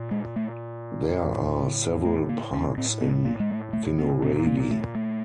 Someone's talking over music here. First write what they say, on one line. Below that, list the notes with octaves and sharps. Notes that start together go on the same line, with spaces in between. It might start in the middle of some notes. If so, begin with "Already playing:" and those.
There are several parks in Vinohrady.
Already playing: A#2
G#3
A3
A2
A3
A#3
C#4
A2 C4
B3
A#3
G#3
A3
A3
B3
A#2 C4
A#3
A3
A3